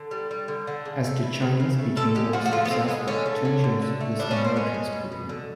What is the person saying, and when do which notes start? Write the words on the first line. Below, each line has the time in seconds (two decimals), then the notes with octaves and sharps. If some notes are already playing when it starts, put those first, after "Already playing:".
As the Chinese became more successful, tensions with Americans grew.
Already playing: D3
0.11 G3
0.31 G3
0.48 D3
0.67 D3
0.85 C#3
1.04 A3
1.23 E3
1.42 C#3
1.60 C#3
1.78 A3
1.96 D3 A4
2.15 G#3 G4
2.33 F3 F#4
2.46 F#4
2.52 D3 F4
2.65 B3
2.70 D3 C4
2.88 G#3 B3
3.08 D3 C#4
3.26 A3
3.45 F#3
3.64 D3
3.82 D3
4.01 A3
4.19 B2 D4
4.31 C#4
4.37 B2
4.44 C4
4.56 G#3 C#4
4.74 G#3
4.93 B2
5.12 B2
5.29 D3